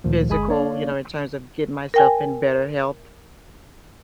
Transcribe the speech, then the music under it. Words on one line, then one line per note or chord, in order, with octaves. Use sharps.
physical, you know, in terms of getting myself in better health,
D2 A#2 D#3 F3
G1 G#3 G#4 G#5 B5 D#6
A#3 D4 C#5 D5 F5
A#4 G5 G#5